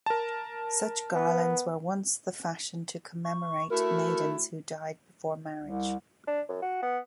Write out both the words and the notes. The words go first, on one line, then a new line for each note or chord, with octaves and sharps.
Such garlands were once the fashion to commemorate maidens who died before marriage.
A#4 A5
B3
C#6
A3 E4 F#4 A#4
C2
D4
F#2
F#4
B3